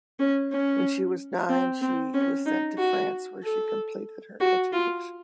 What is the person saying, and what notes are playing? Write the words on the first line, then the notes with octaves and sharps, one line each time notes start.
When she was nine she was sent to France where she completed her education.
C#4
C#4
C4
C4
C#4
D#4
F#4
A4
F#4
F4